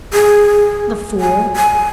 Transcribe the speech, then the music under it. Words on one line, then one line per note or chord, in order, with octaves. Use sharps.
The fool!
G#4
G#5
G#5